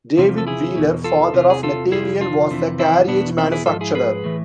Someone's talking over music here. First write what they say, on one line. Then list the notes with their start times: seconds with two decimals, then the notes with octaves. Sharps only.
David Wheeler, father of Nathaniel, was a carriage manufacturer.
0.17 E2 C3 F3
0.38 A4
0.47 E4 G#4
0.76 E2 B2
1.04 F4 A4
1.34 E2 C3 E3 F4
1.50 G#4
1.63 F4 A4
1.92 F2 C3 F3 E4 G#4
2.21 D4 F4
2.50 F2 C3 E3
2.79 C4 E4
3.08 E2 B2 B3 D4
3.38 C4 E4
3.52 E4 G#4
3.66 G#2 F3 F4 A4
3.81 E4 G#4
3.95 G#4 B4
4.24 A2 E3